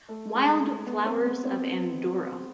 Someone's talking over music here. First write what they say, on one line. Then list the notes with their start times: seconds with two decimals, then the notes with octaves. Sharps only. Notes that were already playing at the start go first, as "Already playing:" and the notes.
Wild Flowers of Andorra.
0.09 A3
0.35 G#3
0.61 A3
0.87 B3
1.06 C4
1.26 B3
1.45 C4